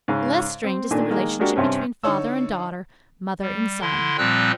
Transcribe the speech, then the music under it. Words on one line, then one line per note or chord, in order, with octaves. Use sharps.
Less strained is the relationship between father and daughter, mother and son.
G#2 C#3
C4
A#2 D#3 A3 D4 G#5
D#3 G#3 A#3
G#3 A#3 D4 F#4 G4 A#4
G2 C3 C4 C#4
D3 D#4 C#5 E6
G3
D3 E4 C6
A#2 F3 G3 C4 E6 F#6